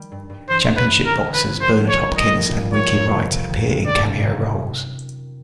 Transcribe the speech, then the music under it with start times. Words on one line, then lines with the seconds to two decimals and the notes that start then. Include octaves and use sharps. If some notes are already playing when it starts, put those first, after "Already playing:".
Championship boxers Bernard Hopkins and Winky Wright appear in cameo roles.
Already playing: D#3 G3
0.12 G2
0.30 G2
0.49 E3 C5
0.67 F#2
0.77 B4
0.86 E3
1.06 G1 A#4
1.24 G1
1.34 B4
1.43 G1
1.61 A#1 C5
1.80 A#1
1.89 C#5
1.98 G3
2.18 G3 D#5
2.36 A#1
2.55 A#2
2.73 D#3 C#5
2.92 F2
3.12 C3
3.30 C3
3.48 D#3
3.68 C3
3.86 D#3 D5
4.04 F#1
4.23 F#1